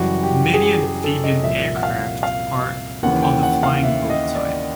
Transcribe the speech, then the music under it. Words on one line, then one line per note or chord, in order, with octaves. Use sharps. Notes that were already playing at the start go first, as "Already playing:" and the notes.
Many amphibian aircraft are of the flying boat type.
Already playing: F#2 C#3 E3 G3 F#4
G4
G#4
G4
G#4
A4
D#5
C2 A#2 F3 E5
F#5
F5
F5
D#2 C#3 E3 F#5
G5
F#5
F5
E5
D#5
D5